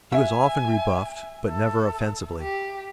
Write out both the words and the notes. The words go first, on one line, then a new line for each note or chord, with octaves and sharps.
He was often rebuffed but never offensively.
E5 G#5
A4
G4